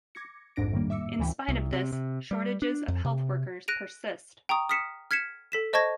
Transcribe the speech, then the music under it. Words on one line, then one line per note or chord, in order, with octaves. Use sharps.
In spite of this, shortages of health workers persist.
D6 G#6 A#6 C#7
A#1 F2 G#2 D4 A#6 D7
A2 D#3 G3 A#3
E5 D6 E6 C#7
D2 C#3 E3 G5 B5
C2
C3
C3
G3
D4
F2
C3
F#6 A#6 D7 D#7 F7
G5 A#5 C#6 D#6
D#6 F6 B6 C#7 E7
F6 G#6 B6 C#7 E7
A4 B6 E7
C5 D#5 A5 C#6 G#6 A#6